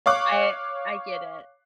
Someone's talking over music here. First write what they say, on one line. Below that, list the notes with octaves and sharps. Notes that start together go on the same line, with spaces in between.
I I get it.
C#5 F5 C#6 D6 F#6